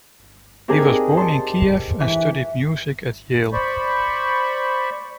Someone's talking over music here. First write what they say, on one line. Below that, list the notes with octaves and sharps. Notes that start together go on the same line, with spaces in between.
He was born in Kiev, and studied music at Yale.
C4 D4 D#4 G4 G#4 A#4
A5 C6
E3
C5 D5 B5 C#6